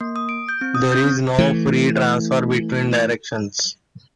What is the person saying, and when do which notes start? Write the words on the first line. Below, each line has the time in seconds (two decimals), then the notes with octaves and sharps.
There is no free transfer between directions.
0.01 A#3
0.16 D#6
0.29 D7
0.49 G6
0.61 C4
0.75 D#6
0.92 G6
1.04 C4
1.38 E3 A3